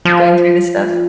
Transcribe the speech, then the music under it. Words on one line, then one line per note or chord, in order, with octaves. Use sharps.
going through this stuff?
F3